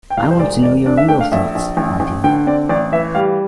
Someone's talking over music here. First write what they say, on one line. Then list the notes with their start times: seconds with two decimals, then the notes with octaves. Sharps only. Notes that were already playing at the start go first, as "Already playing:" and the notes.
I want to know your real thoughts, my dear.
0.10 G5
0.17 C2 F5
0.31 C5
0.39 E1 D5
0.63 E1 D5
0.86 D4 D5
0.97 E5
1.08 A3 G5
1.21 F5
1.32 A#1 E5
1.55 A#1
1.77 A1
2.00 A1
2.24 D3 G5
2.47 C4 D5
2.69 A1 D5
2.92 E3 E5
3.15 G3 F5